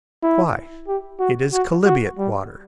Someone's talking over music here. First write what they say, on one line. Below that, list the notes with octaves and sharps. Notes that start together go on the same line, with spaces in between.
"Why, it is chalybeate water!"
E4
G4
F#4
F#4
F#4
G3